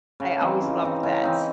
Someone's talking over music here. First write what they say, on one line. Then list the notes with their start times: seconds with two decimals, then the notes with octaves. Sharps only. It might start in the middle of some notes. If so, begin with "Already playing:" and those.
I always loved that.
0.20 C#3
0.41 E3 C4 D#4
0.62 C#3
0.82 E3 C4 D#4
1.03 C#3
1.24 E3 C4 D#4